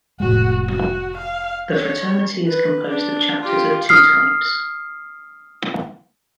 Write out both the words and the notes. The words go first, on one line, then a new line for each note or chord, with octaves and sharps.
The fraternity is composed of chapters of two types.
F1 A2 G#3 F#4
F#4
F5
C#5
B4
D4
F4 G4
D#6 F6 C7